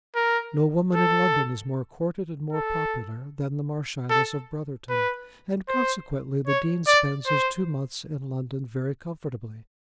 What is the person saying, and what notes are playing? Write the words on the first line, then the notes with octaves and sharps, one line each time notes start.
No woman in London is more courted and more popular than the Marchioness of Brotherton, and consequently the Dean spends his two months in London very comfortably.
A#4
A4
A4
A4
B4
C5
C#5
D5
C5